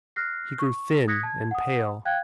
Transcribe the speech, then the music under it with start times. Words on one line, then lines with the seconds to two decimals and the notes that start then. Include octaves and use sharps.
He grew thin and pale.
0.16 F6 F#6 A#6 C7
0.59 C#6
1.08 D#6 F#6 G#6 A#6 B6 C#7
1.23 A5 G#6
1.51 F#5 D#6
2.05 F5 G5 F#6 G#6